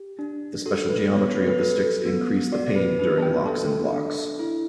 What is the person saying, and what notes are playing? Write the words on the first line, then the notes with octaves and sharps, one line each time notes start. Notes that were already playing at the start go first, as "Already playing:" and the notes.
The special geometry of the sticks increase the pain during locks and blocks.
Already playing: G4
D4
F#4 A4
B4
B3 C#5
B4
B4
A4
B3
F#4 D5
B4
D4 B4
A5
G5
A4 A5
D4
E4